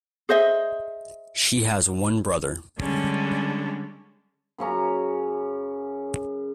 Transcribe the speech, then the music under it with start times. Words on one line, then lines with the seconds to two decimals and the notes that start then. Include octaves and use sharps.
She has one brother.
0.29 G#4 C5 D#5 E5
2.79 D3 G3 G#3 C#4 D4
4.58 F#2 C#3 C#4 A#5